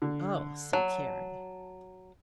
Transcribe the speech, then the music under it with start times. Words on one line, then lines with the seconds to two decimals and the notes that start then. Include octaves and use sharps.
"Oh," said Carrie.
0.02 D3
0.73 F#3 A5